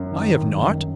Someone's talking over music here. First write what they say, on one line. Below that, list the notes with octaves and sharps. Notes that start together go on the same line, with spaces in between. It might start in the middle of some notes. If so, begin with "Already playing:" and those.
"I have not."
Already playing: F#2
D#3
D#3
F#2
F#2